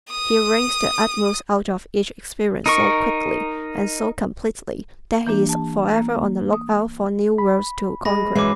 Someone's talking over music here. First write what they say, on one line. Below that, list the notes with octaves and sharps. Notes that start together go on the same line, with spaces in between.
He wrings the utmost out of each experience so quickly and so completely that he is forever on the lookout for new worlds to conquer.
D#6
D#4 A#4 C#6
E3 A#3 D4 G4
A5
A#3
D#6
B5
G#3 B5 A#6
F#2 E3 G#3 E4 D6 C7